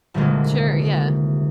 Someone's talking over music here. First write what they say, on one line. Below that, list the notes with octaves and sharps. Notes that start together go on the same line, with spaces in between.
Sure, yeah.
D#1 C2 A#2 D3 G#3 A#3